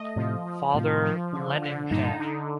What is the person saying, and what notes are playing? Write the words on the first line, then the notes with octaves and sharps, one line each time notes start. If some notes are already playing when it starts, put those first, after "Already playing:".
Father Lenihan.
Already playing: A3 D#5
A2 C3 F3
F3
A2 C3 F3
F3
D3
D3
G2 A#2 D#4
D3